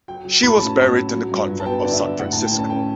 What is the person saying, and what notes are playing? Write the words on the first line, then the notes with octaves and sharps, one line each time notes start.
She was buried in the Convent of San Francisco.
F#3 G5
F#3
A2 B5
C#4 A5
A2
F#3
F#3
G2
F#3
A5
B3 G5
D3 D5
E5
F#3
A2 F#5
A5
A2
G5
C#4
A5
C#4 G5